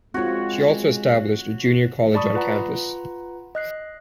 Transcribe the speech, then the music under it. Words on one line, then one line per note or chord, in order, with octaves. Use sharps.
She also established a junior college on campus.
G#3 C4 F4 F#4 C#5
D5 A5 B5 C#6 D#6
F4 B4 F#5 A#5
D#5 F#6 C7